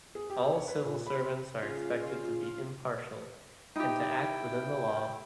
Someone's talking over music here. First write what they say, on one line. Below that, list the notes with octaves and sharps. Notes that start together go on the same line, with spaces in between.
All civil servants are expected to be impartial, and to act within the law.
G#4
G4
C#5
B4
A#2
B5
C4
C#3 F4
D#4 E4 G4 G5